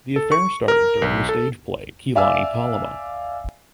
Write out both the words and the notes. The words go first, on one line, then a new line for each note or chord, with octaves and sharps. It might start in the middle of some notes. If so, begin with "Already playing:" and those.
The affair started during the stage play "Kelani Palama".
A4
C#6
A#4
B1
A4
D5 E5 F5 G#5 D6 E6